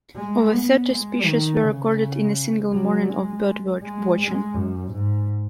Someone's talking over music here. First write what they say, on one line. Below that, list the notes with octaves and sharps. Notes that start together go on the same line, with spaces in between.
Over thirty species were recorded in a single morning of bird watching.
G#3
B3
G#3
D#3
C#3
F#3
G#3
G#3
G#3
F#2
G#2